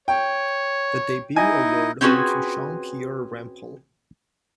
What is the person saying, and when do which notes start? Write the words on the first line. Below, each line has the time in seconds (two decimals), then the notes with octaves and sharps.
The debut award went to Jean-Pierre Rampal.
0.08 C#5 G5
1.36 D#4 E4 D#5 G#5
2.01 C4 C#4 F4 F#4 G#4 B4